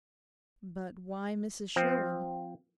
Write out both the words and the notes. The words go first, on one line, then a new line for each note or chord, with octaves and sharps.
'But why Mrs Sherwin?
F3 C4